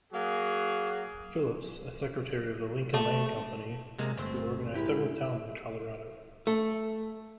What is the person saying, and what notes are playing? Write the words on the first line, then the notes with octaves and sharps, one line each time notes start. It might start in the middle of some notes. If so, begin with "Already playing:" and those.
Phillips, a secretary of the Lincoln Land Company, who organized several towns in Colorado.
F#3 A#3 F#4 G#4
A3
C3 G#3 A#3
G1 A3 C4 C5
A#2 G#3 E4 G4
A3